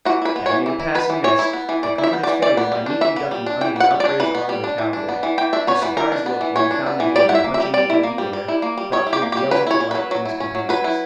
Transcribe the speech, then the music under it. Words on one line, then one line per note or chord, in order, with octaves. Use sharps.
Tad made a pass and missed, but covered his failure by neatly ducking under the upraised arm of the cowboy, whose surprised look when he found that he had been punching the empty air brought forth yells of delight from his companions.
E3 F#4
E4 B4
B3
C#5
E3
E3
E4
B3 B4
E3
E3 C#5
E4
B3
E3
E3 D5
E4
E5
B3
D5
E3
E3 D5
B3
G3
D4
E3 E5
B3
G3
D4
E3 G5
B3 F#5
G3
D5
D4
E3 B4
B3
G3
D4
E3
D4
B3
E3
E3 G5
D4 E5
B3 C#5
E3 B4
E3 A#4
D4
B3
E3
E3 C#5
D4
B3
E3
G3 D5
E4 F#5
E5
A#3
E5
G3
G3 D5
E4
A#3
G3
G3
E4
A#3
G3
G3 C#5
E4
G4
A#3
G4
G3
F#3 B4
E4 C#5
C#4
F#3 B4
F#3
E4
C#4
F#3
F#3 B4
E4